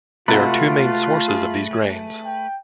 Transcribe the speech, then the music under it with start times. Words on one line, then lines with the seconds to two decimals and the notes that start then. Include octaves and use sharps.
There are two main sources of these grains.
0.28 C3 G#3 A3 F4 F#4 B4
1.28 G#4
2.26 G5